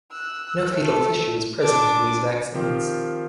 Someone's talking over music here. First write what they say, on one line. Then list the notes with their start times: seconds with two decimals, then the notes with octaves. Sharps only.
No fetal tissue is present in these vaccines.
0.11 E6 F#6
0.71 A3 A4
1.62 D4 D6
2.54 D#3 F3 C4 F4 G4